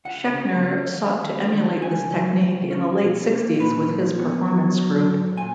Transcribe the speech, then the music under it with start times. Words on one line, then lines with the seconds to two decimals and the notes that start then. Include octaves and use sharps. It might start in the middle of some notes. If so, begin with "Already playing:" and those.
Schechner sought to emulate this technique in the late sixties with his Performance Group.
0.05 C#2 F#5
0.34 C#3
0.64 C#4
0.93 D#2
1.23 D#2
1.53 D#3
1.82 C#2 G#5
2.12 F#3
2.41 C#2
2.71 C#4
3.01 B2
3.30 A#3
3.59 A#2 B4
3.90 F3
4.19 B3
4.48 F#3
4.79 F#3
5.07 G#2
5.37 A#2 G#5